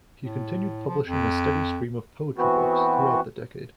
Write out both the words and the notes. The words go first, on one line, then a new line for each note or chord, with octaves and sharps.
He continued publishing a steady stream of poetry books throughout the decade.
A2
F3
F2
E3 B3 C4 F#4